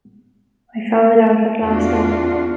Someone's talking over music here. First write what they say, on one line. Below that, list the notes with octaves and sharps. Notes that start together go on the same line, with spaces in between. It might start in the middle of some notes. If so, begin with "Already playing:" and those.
I found it out at last though.
E2 D4 F4 F#4